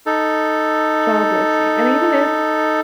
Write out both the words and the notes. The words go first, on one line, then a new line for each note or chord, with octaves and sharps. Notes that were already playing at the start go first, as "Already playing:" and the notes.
job listing. And even if
D#4 A4